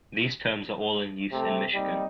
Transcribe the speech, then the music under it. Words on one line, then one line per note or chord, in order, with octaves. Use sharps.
These terms are all in use in Michigan.
C3 A3
G3 A#3 C4 D#4